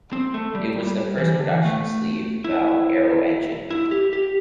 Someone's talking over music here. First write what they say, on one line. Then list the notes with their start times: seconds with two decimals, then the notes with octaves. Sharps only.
It was the first production sleeve valve aero engine.
0.13 C4
0.34 A3
0.55 G3
1.18 E3
1.34 D3
1.49 E3
1.65 A3
2.44 E4
3.70 E4
3.91 G4
4.13 G4